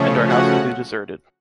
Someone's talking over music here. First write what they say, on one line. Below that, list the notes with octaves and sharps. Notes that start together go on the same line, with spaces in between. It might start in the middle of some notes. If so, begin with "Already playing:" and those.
And our house will be deserted.
Already playing: C#3 F3 A3 C#4
F#4 F#5